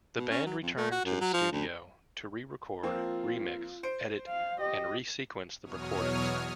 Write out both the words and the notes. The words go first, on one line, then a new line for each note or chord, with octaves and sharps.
The band returned to the studio to re-record, remix, edit, and re-sequence the recordings.
B2
C#4
F#3
F2
A3
F#4
F#2
F#3
F3
D2
F3 A#3 C4 F4
C5 D7
F5
G4 D#5
E2 B2 F#3 C#5 D#6 F6